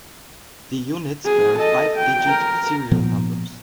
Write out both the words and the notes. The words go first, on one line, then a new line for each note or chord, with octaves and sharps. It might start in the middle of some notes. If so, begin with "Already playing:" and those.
The units bear five-digit serial numbers.
G#4
A4 D#5
G5
A#4
A#2 F3 B3